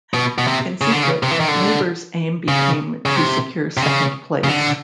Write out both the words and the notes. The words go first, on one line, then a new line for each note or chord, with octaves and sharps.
In secret, Labour's aim became to secure second place.
B2
B2
C3
C#3
D3
C#3
C3
E3
D#3
D3
C#3
C#3
C3
C3
C#3
C#3
D3